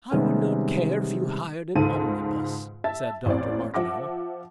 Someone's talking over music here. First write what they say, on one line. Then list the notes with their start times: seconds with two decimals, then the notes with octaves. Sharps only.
I would not care if you hired an omnibus, said Dr. Martineau.
0.11 C3 D#3 G3 G#3 B3 C#4
1.76 C#2 G#2 D#3 A4 A5 D#7
2.84 E5 A5 A6
3.26 A1 E2 C4 D5
3.74 F3 E5 F#5 D6 A#6